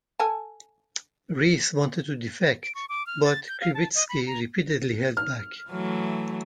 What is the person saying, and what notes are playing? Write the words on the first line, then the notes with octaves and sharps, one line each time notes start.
Reiss wanted to defect, but Krivitsky repeatedly held back.
A4 G#5 A5
D7
C#6
D6
F6
A6
G6
F5
A5
D#5
B5
A#5
F6
E3 F#3 A3